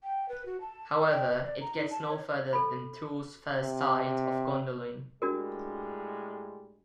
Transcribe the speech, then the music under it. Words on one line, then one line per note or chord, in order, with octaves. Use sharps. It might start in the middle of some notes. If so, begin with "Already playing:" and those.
However, it gets no further than Tuor's first sight of Gondolin.
G5
B4
F#4
A5
A#4
G5
B4
D5
A#5
D#4
A5
C#5
A4 B5
C3
A2 G3 G#3 D4 F#4 A#4